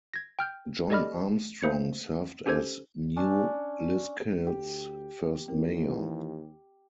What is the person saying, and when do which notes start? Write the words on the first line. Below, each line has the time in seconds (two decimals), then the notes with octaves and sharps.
John Armstrong served as New Liskeard's first mayor.
0.14 G#6 A#6
0.39 G5 F6 G6
0.90 G4 A4 D5 D#5 B5 F6
1.63 A3 A#3 C5 C#7
2.46 C#4 G4 A4 C5 G#6
3.16 C#4 D4
4.47 D2 G4
5.48 D#2 E3 C4 A#4